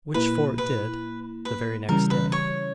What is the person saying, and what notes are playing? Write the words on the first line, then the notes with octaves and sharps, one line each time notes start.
Which Fort did, the very next day.
A#2 A#3 E4 B4
B4
B4
C#3 E3 G3 C#4 A#4
B4
C#5